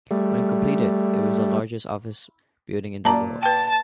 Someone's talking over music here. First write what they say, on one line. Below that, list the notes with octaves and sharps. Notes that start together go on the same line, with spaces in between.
When completed, it was the largest office building in the world.
G3 A3
A#2 D5 A5 A#5
B4 G5 A5